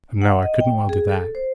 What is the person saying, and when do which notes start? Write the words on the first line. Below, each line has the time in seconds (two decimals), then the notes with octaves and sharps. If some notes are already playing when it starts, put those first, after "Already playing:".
No, I couldn't well do that.
0.22 F#5
0.43 D#5
0.60 G5
0.89 G#4
1.09 A4
1.35 C5